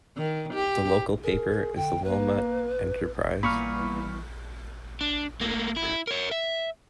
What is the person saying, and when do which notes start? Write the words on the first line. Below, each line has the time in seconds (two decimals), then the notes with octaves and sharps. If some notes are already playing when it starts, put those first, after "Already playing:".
The local paper is the Wilmot Enterprise.
0.17 D#3
0.54 G4
1.23 G#4 A#4
1.76 D3 G5
2.04 A#3 B4
3.43 A#2 E3 G3 B3 B5 C#6 F6
5.01 D4
5.41 A3 A#3
5.76 E4
6.07 A#4 C#5
6.31 E5